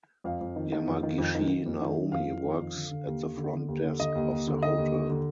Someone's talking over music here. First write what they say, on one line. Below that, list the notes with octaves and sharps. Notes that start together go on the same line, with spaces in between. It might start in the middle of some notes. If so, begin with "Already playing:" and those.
Yamagishi Naomi works at the front desk of the hotel.
F2 F5
F2
D#3
D#3
F2
D#3
F2
D#3
D#3
F2
D#3
D#3
F2 F5
F2
D#3
F2
D3
D3
D#2
D3
D3
D3
D#2
D3
D3 D#5
D#2
D#2
D3
D3 D#5
D#2
D3
D3